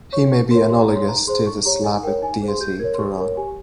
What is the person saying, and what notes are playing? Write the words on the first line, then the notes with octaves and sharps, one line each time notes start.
He may be analogous to the Slavic deity Perun.
C#5 C#6
D#4 C#6
A#4 C#5 C6
G4 C6
A#5
C#5
C6
D#4 A#5
G#4 C5 C6
D#4 C#6
G4 C#5 A#5
D#4 G#5
A#4 C#5 G5
D#4 G#5
G#4 C5
C6
G4 G6
A#4 C#5 G#6
C6
G4 C#6
A#4 C#5
G4 G#5